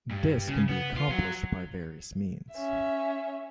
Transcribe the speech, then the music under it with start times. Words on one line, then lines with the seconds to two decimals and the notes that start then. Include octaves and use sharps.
This can be accomplished by various means.
0.11 G2
0.48 C#3
0.69 B3
0.97 F4
1.11 F#3
2.54 C#4 E5